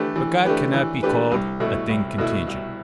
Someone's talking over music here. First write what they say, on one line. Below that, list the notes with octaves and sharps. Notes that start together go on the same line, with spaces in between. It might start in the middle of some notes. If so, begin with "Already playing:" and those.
But God cannot be called a thing contingent.
Already playing: E3 A3 D4 G4 B4
E3
A3 D4 G4 B4
E3
A3 D4 G4 B4
C2
B2 A3 E4
C2
B2 A3 E4
C2